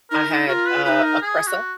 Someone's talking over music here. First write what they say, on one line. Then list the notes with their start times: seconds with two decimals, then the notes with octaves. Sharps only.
I had, uh, a Presa,
0.11 D#4 A#4
0.29 D#4
0.48 F#4 A#4
0.53 F4
0.67 B4
0.85 F4 B4
0.89 D#4
1.03 A#4
1.22 G#4
1.47 F#4